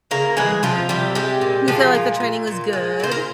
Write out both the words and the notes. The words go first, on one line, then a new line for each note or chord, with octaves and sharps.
Mhm. You feel like the training was good?
C#3 A#3 A#4
E3 G#3 G#4
C3 F3 F4
C3 G3 G4
G3 G#3 G4
A#2
F3 G#3 F4
A#2
A#2
A#2
G#3
A#2 C5
A#4